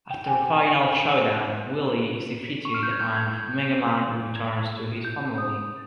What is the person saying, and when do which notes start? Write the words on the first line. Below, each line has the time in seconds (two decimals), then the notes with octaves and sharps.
After a final showdown, Wily is defeated and Mega Man returns to his family.
0.11 G5
0.28 G#5
2.65 C#6
2.74 F6
2.83 G6
2.91 G#6
3.00 G6
3.16 G#6
3.33 G6
4.36 G#6
5.05 G6
5.38 D#6